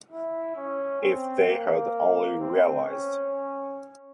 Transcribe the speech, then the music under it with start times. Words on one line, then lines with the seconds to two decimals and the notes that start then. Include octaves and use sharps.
If they had only realized!
0.11 E4
0.56 C#4
1.02 C4
1.49 A#3
2.40 C4
2.86 C#4